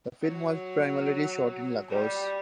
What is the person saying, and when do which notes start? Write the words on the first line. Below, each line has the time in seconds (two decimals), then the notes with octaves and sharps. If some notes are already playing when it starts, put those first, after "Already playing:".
The film was primarily shot in Lagos.
0.22 F#3
1.90 G3